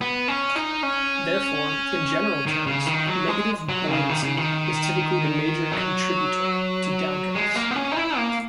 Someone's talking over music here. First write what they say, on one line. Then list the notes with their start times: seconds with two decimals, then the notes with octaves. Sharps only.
Therefore, in general terms, negative buoyancy is typically the major contributor to downdrafts.
0.01 B3
0.28 C#4
0.56 D#4
0.83 C#4
2.46 D#3
2.67 C#3
2.86 D#3
3.07 F#3
3.28 G#3
3.69 F#3
3.88 C#3
4.09 D#3
4.23 C#3
4.37 D#3
5.72 F#3
7.35 G#3
7.55 A#3
7.71 B3
7.76 C#4
7.92 D#4
7.96 E4
8.17 A#3